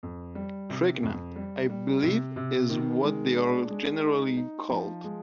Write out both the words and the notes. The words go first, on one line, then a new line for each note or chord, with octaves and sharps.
Pregnant, I believe, is what they're generally called.
F2
G3
C3
F2
G3
G3
C3
C3
D#3
G#3
D4
G#3
D#4
D#4
F3
G#3